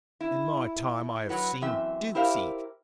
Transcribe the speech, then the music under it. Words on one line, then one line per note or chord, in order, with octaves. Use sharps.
In my time I have seen dukes eat.
E4
F#3 F#4 B4
F#2 E3 C4 E5
E4 G4 A#4 C5 E5 F5